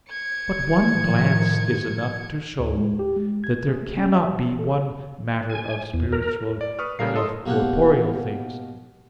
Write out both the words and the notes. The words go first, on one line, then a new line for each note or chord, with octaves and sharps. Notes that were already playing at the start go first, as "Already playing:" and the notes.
But one glance is enough to show that there cannot be one matter of spiritual and of corporeal things.
G#6 C#7
A2 D#3 F3
D2
G#3
G4
G#3
G#6
G#4
A3
C#4
E5
E3
A4
G#5
E2
A#4
D5
B4 C#6 D#6 F6
C#3 G3 A3 A#4 F5 C7
A4 D#5 C6 D#6
B2 A#3 G4 C#5 F#5